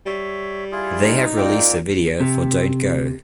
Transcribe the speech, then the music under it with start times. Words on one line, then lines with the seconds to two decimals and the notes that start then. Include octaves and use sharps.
They have released a video for "Don't Go".
0.06 G3 C#5 E5
0.72 E4 F4 G#4
1.05 D#4
1.37 A#2 A#3 C4 D5 G5
2.20 C3